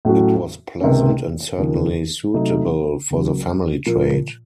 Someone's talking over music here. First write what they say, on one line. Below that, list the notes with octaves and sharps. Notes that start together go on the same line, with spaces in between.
It was pleasant and certainly suitable for the family trade.
A2 F#3 A3 C#4 F#4
C#2 C3 D#3 A#3 C#4
D#2 C#3 F3 A#3
C3 F#3 A3 D#4
C#2 C#3 F#3 A#3
A#2 F3 A#3 F4